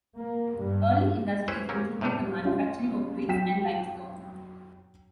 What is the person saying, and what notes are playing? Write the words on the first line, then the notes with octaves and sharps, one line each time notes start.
Early industries included the manufacturing of bricks and limestone.
A#3
G2
C#4 E4 B4 C5 E5
A#3 C4 C#4
A2 C3 G3 A3 D4
C#4 F4
F#3 G5 B6 E7